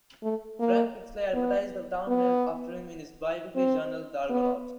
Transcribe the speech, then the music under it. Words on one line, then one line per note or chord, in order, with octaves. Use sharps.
Frank Pixley advertised the town named after him in his biweekly journal "The Argonaut".
A3
A#3
B3
B3
C4
B3